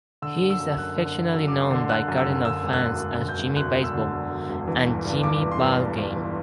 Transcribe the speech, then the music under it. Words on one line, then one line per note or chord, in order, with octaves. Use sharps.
He is affectionately known by Cardinal fans as "Jimmy Baseball" and "Jimmy Ballgame".
D3 E6
F#1
E6
F#2
F#1 F#6
D3
F#6
F#1
F#2 E6
F#1 D6
C6
D3
F#1 F#6
F#2
E6
F#1
D3 E6
E1
F#6
D2
E1
D3
G6
E1
D2 F#6
E1
E6
D3
E1
D2
E1
E3
G1
G2
G1 D6
E3
C6
G1
G2
G1
E3